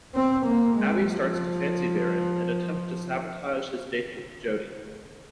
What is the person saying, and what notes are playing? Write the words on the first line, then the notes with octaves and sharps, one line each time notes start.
Abi starts to fancy Darren, and attempts to sabotage his dates with Jodie.
C4
A#3
G#3
F3